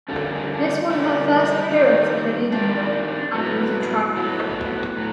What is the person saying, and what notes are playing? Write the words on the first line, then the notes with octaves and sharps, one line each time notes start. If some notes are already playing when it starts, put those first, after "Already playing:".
This was her first appearance in a leading role, and it was a triumph.
D3 G3 A#3 C#4 A4
G#4
D4
D#4
D3 G3 A#3 C#4 D#4
E4
D#4
E4
D#3 G3 C4 D#4
D#3 G3 C4 D4
A2 F#3 B3
A2 F#3 B3
A2 F#3